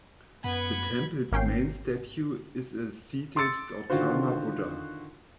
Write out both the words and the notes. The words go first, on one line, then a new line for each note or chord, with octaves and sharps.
The temple's main statue is a seated Gautama Buddha.
F#2 B3 B5 G#6
G#1 A#3 C#4 G5 C7
C6 D6 E6 A6 C#7
D3 D#3 F4 F#4 C5